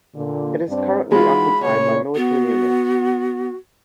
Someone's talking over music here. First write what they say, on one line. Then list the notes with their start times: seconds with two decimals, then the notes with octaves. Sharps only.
It is currently occupied by military units.
0.15 A#2 D3
0.68 G2 C4 D4
1.12 E3 G#3 D#4 F4 F#4 B5
1.65 A#2 C#3 C#5
2.16 B3 F#4